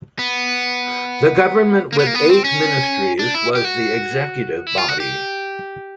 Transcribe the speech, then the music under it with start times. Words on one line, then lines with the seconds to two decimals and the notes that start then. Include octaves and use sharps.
The government with eight ministries was the executive body.
0.19 B3
1.93 A#3
1.99 B3
2.07 A#3
2.15 B3
2.29 C4
2.44 C#4
3.19 D4
3.34 E4
3.55 G4
3.64 F#4
4.67 E4
4.78 F4
4.89 F#4
5.00 G4